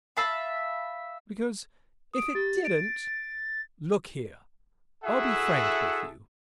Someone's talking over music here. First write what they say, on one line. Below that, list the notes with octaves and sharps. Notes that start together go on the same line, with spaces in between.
Because if it didn't---- Look here, I'll be frank with you.
E5 F5 A5 B5
D#6 D7
G4 A6
D7
E4 F#4 G#4 A4 E5 F#5